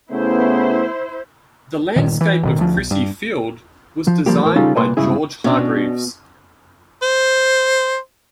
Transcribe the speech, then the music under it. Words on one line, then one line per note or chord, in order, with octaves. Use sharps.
The landscape of Crissy Field was designed by George Hargreaves.
C#3 A3 B3 E4 C5
G1 A#2 D#3
E3
A1 B2 D#3
D2 F3
B1
G2
F3
F3 G3 A#3 G4
E2 A2 A#4
C#3 G3 C#4 D#4 F4 A4
C2 A#2 B4 C6
G2 C#3 G#3 E4 G#4
B2 C#4 D4
C5